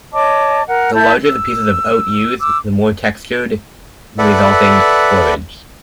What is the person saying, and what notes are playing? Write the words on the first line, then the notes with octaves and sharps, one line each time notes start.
The larger the pieces of oat used, the more textured the resulting porridge.
C#5 D#5 A5 D6
A#4 F#5
E4 E5 A5 G6
E6
D6 E6
A4 B4 D5 E5 F#5